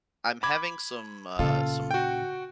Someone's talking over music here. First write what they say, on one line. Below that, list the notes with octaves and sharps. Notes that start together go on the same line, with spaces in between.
I'm having some, uh some
B5 D6 G#6
A#2 C#3 F4 A4
F#4 G5